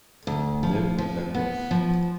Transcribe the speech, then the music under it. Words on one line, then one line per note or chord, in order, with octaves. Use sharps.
Live and let live.
D2
F3
F3
B3
F3